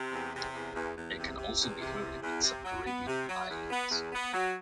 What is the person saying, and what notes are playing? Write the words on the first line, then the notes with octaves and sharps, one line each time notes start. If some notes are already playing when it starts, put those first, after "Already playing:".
It can also be heard in some Caribbean islands.
Already playing: C3
E2
C3
E2
E2
E2
C3
C3
E2
C3
E2
E2
C3
F#3
B3
C3
F#3
E2
B3
E2
B3
F#3